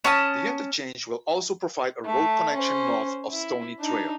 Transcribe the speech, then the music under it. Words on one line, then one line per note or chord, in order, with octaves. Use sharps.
The interchange will also provide a road connection north of Stoney Trail.
C#4 A5 D#6
A3
C#4 C5
E4
D4 D#4